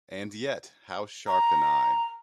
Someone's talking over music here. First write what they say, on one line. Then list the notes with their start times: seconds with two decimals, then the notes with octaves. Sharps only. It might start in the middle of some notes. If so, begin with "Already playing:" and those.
And yet - how sharp an eye!
1.27 A#5